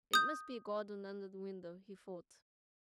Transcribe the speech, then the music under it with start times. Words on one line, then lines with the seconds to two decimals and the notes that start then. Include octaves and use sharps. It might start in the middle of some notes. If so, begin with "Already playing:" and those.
"It must be a garden under the window," he thought.
0.13 D#6 G6